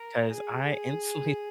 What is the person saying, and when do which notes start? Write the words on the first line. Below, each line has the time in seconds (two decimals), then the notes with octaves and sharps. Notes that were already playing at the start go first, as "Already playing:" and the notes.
'cause I instantly
Already playing: A#4
0.32 G#4